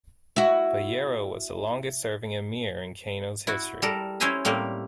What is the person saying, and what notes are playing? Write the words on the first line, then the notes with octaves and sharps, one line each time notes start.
Bayero was the longest-serving emir in Kano's history.
E4 F#4
E4 F#4
G3 A4 A#4
C#4 E4 C5 E5 G#5 A#5
A2 G3 A#3 C4